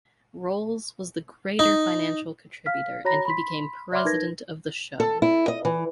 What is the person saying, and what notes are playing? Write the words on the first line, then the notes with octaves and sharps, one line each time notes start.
Rolls was the greater financial contributor and he became President of the show.
D#4
F5 F6 B6
F#4 C#5 A#5 B5 A#6
B5 C6 B6
D5 E5 B5 C6 D6 F6
D#4 A#4 B4 G#6 A#6
A4
E4
D#5
E3